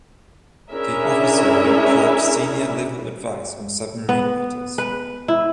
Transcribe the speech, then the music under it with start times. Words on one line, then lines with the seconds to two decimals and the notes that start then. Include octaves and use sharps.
The officer would impart senior level advice on submarine matters.
0.71 C#4 D4 E4 G#4 A#4 E5
4.09 B3
4.78 B4
5.28 E4